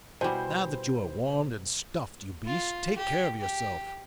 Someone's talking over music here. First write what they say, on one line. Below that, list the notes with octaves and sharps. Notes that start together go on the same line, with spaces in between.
Now that you are warmed and stuffed, you beast, take care of yourself.
B2 G3 E4 F#4 C5 G#5
F4
G4
G4